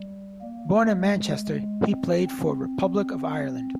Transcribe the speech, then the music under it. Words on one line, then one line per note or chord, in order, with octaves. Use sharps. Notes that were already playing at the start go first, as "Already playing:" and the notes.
Born in Manchester, he played for Republic of Ireland.
Already playing: G3
A#3
G#3
G#3
C4
C4